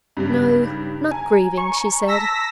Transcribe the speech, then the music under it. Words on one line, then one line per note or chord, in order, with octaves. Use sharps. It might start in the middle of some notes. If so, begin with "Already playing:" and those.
"No, not grieving," she said.
G2 C#3 G3
D#4
G#5 A#5
C#6
A5 E6 A#6 B6